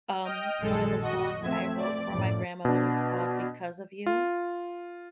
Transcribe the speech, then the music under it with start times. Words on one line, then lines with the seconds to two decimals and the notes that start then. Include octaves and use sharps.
um, one of the songs I wrote for my grandmother is called "Because of You"
0.24 D#5 G5 F6
0.60 A#1 F#2 D#3 G#3 A4
1.02 F#4 D#5
1.42 F3 A3 C4 E5 G#6
1.78 D5
2.10 F#2 A2 F3
2.65 B2 D4
4.06 F4